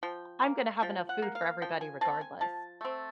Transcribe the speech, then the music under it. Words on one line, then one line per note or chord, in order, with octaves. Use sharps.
I'm gonna have enough food for everybody regardless.
F3 G5
A#3
F3 G5
F#5
A#3
F5
F3 G5
G#5
A3 C4 A5
G#5
F3 A5
A3 C4